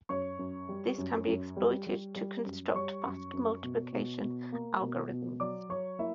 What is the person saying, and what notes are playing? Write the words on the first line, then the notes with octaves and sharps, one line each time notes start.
This can be exploited to construct fast multiplication algorithms.
F#2 C#5 C#6
F#2
G3
F#2
F#2
G3
G3
G3
F#2
G3 C#5 C#6
F#2
F#2
B2
B2
B2
A#3
B2
B2
F#3 D5 D6
F#3 C#5 C#6
A#3 E4 E5